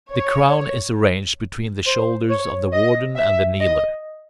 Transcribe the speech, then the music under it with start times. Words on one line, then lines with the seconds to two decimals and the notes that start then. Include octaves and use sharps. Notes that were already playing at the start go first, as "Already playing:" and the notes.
The Crown is arranged between the shoulders of the Warden and the Kneeler.
0.12 C#5
1.86 C5
2.29 C#5
2.73 D#5
3.16 E5
3.60 D#5